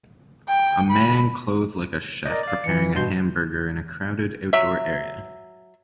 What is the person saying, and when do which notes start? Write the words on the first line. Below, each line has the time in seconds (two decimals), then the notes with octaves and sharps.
A man clothed like a chef preparing a hamburger in a crowded outdoor area.
0.49 G5
0.91 B5
2.26 A#4 D5 D#5
2.43 D5 F5
2.64 E3 C#7
2.95 G2 B2 C6 G6
4.53 F#3 E5